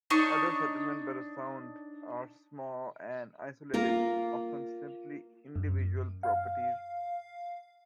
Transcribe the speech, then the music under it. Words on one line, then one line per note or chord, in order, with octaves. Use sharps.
Other settlements by the sound are small and isolated-often simply individual properties.
D4 D#4 C#5 C#6
A#3 F4 A#4
F#2
F5